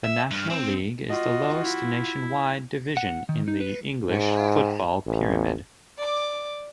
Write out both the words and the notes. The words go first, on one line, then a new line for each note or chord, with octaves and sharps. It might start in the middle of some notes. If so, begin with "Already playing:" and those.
The National League is the lowest nationwide division in the English football pyramid.
E5
G2
C4
F4 F#4 D#5
E4
F#5
D#3
D#4
B4
G#2
A1
D5 D6